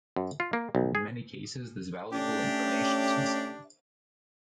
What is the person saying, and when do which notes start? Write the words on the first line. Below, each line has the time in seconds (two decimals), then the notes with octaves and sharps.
In many cases this valuable information is missing.
0.16 F#2
0.40 F4
0.53 A#3
0.75 B1
0.95 G#4
2.13 A3 C#4 D4 G4